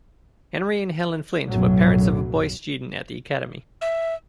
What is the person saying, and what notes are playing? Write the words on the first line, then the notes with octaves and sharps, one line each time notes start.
Henry and Helen Flynt were parents of a boy student at the academy.
B1 F#2 A2 F#3
E5